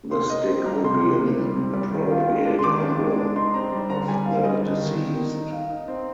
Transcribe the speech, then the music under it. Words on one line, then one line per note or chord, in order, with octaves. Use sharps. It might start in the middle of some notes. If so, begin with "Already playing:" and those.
The stick would be an appropriate emblem of the deceased.
C3 C6
D#4 D#5
C4
G3 A#5
C3 C6
C3 C6
C3
G3
C3
G3
D#3
F4
G#3
D4
C6
D#3 D6
D4
G#3
D4
D#4 C6
C4 A#5
G3
D3 A#5
G3 G#5
C4 F5
G3 D#5
D3 D#5
D#3
D#4
D#3
D#4
D#4 F5
D#4
C4